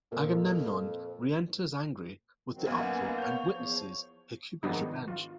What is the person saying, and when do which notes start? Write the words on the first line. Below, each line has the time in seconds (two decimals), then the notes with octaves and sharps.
Agamemnon re-enters angry with the uproar and witnesses Hecuba's revenge.
0.12 F2 A#2 A#3 A#4
2.53 D#3 F#3 C4
2.66 B1 F#2 A#3 B3 G#5
3.18 C#5 G6
3.49 E2 F3
4.63 G#2 D#3 F3 B3 D4 D#4
5.08 F4